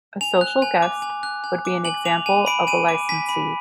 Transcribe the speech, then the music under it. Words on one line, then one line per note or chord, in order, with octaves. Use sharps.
A social guest would be an example of a licensee.
G#5 F7
F#6
G#5
D6
G#5
F#6
G#5
D6
G#5 F#7
D6 F7
G#5 D#7
B5 D7
G#5 D#7
D6
G#5 B6
B5